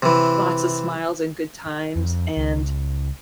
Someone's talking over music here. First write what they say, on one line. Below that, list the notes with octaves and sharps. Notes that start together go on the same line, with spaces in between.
lots of smiles and good times, and
C3 E3
F2
C#2